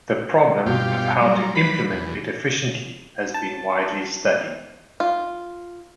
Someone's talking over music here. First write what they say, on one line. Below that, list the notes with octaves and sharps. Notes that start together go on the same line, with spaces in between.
The problem of how to implement it efficiently has been widely studied.
G2 B2 F4 G4
F#3 G3 A#3
B4 B5
E2
A5
F4